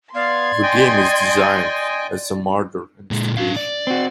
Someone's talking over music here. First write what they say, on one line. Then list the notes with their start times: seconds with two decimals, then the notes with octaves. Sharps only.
The game is designed as a murder investigation.
0.15 B3 D5 F5 C6 G#6
0.63 D#5 G5 G#5
3.11 A#2 G#3
3.37 D4 F5
3.56 D5
3.87 C4 F#4